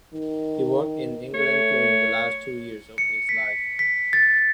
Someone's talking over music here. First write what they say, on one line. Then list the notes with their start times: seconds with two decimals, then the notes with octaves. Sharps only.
He worked in England during the last two years of his life.
0.14 D#3
1.34 A3 C#5
2.98 C#7
3.29 B6
3.79 B6
4.13 A6